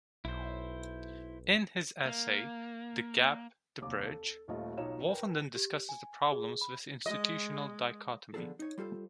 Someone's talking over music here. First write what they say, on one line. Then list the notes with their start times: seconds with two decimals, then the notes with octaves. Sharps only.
In his essay "The Gap-The Bridge", Wolfenden discusses the problems with institutional dichotomy.
0.25 B1 E4 C5
2.05 A#3
3.81 F1 D#2 D6
4.05 A4
4.48 D#1 D#2 A3 F4 D#5
4.77 B1 D#4 F4 C#5 E7
5.07 A#4 B4 G5 G#5
5.55 G4
5.89 G#5
6.32 G#4
6.61 B5
7.06 G#3 D#5
8.34 D3 F3 B3 F4 G#4 A4
8.59 D#4 C#5
8.78 G3 F4 A4 C5